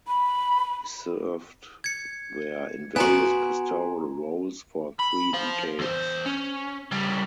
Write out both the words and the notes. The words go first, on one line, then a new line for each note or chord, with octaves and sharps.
He served there in various pastoral roles for three decades.
B5
G#6 C#7
B3 F#4 G#5 A#5 C6
B5
C5 F5
E2 C5
C#4
C#3 G3